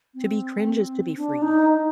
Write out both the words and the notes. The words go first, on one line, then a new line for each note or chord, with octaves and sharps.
To be cringe is to be free.
C4
D4
D#4